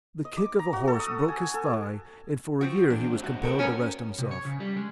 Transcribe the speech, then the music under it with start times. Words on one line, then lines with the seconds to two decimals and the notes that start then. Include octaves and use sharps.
The kick of a horse broke his thigh, and for a year he was compelled to rest himself.
0.25 D#5
0.37 D6
0.59 A#5
0.73 F#4
0.88 A4
0.99 D#6
1.28 G#5
1.41 G#5
1.54 A4
2.61 F3 C4 F#4
2.90 E2 D4
3.12 A2 C4
3.24 F#4
3.42 B2 C4 F#4 A4 A#4
3.59 F#3 B3 C#4 A#5
4.18 C3
4.31 C#5
4.45 C#3
4.60 G3
4.77 G#3